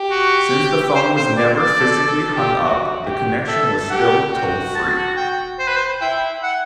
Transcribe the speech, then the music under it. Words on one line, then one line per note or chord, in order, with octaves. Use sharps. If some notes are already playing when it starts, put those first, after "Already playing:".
Since the phone was never physically hung up, the connection was still toll-free.
Already playing: G4
F#4
C5
C5
D5
D5
A4
A4
G4
F#4
G4
A4 E5
G4 F#5
F#4 G5
A5
G5
C5
B4
C5
E4 G5
F#5